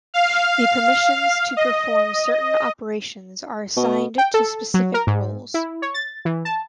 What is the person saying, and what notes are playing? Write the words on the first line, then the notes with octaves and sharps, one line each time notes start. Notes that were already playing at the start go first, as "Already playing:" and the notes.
The permissions to perform certain operations are assigned to specific roles.
F5
D#5
B2
G5
A4
F#3
A#4
G#2
E4
C#5
A6
E3
A5